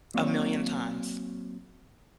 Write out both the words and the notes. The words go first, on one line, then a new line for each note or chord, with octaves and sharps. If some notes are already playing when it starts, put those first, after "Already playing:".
A million times.
F#3 A#3 C4 C#5 D5